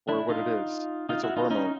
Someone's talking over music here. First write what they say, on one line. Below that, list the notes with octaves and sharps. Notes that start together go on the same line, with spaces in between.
or what it is? It's a hormone.
D4 E4
D#4 F4
D#4 F4
E4 F#4
D#4 F4
C#4 D#4